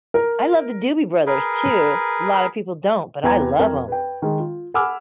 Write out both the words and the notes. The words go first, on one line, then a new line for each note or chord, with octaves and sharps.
I love the Doobie Brothers too. A lotta people don't, but I love 'em.
A#4
G#4 A#4 B4
E2 B4 G5 A#5 G#6
F2 A#4
B4 G5
D#3 G#3
F4
F#5 G#5 B5 D6 E6 F6